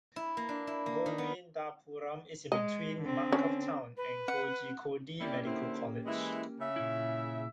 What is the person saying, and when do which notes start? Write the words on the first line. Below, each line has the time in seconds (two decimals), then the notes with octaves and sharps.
Govindapuram is in between Mankav town and Kozhikode Medical College.
0.16 E4
0.37 A#3
0.49 D4
0.67 E4
0.86 A#3
1.06 D#3
1.18 B3
2.52 G#3 D#5
3.01 D3 C4
3.32 C#4
3.97 B4
4.28 F#5
5.21 A#3 C4 C#4 E4 G4 D5
5.44 D3 C4 E4
6.06 E3 G#3 E4
6.60 C#3 E5
6.76 A#2 E4